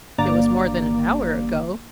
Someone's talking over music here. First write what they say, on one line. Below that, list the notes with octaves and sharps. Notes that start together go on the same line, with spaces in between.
It was more than an hour ago.
G1 G2 A#3 D5 A#5 D6